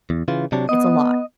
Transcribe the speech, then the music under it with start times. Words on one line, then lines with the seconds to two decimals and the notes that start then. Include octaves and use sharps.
it's a lot.
0.10 E2
0.28 C#3 E3 F4
0.52 C3 F#3 D4
0.69 B3 D#5